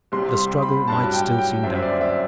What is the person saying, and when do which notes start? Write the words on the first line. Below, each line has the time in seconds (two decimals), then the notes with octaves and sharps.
The struggle might still seem doubtful.
0.12 C2 C3 G3 C6
0.38 C6
0.62 B5
0.88 A1 G2 F#3 A5
1.13 G5
1.38 G5
1.63 G1 F#2 F#3 C4 E5
1.75 E5
1.82 D5
2.01 E5